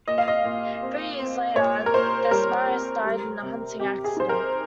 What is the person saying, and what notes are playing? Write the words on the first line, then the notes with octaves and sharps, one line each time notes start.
Three years later Desmares died in a hunting accident.
A#2 D#5
F5
D#5
A#2
C4
C4
A#2 C#5
A#4
A#2 C5
G3 A#4
C4
G3
C3
C3 G4
G#4
D#4 C5
A#4